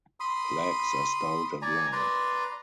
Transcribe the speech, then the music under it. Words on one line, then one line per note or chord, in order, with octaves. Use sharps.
Legs are stout and long.
B5 C6 D#6
D5 G#5 A#5
B4 D5 A#5 C6